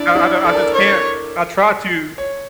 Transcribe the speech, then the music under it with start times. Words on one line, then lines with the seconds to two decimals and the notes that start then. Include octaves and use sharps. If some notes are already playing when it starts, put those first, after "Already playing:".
I I I just can't I try to
Already playing: D4 E4 D5
0.15 E4
0.44 A4 D5
0.55 A#4
0.67 A4
0.73 C#5
2.18 C#5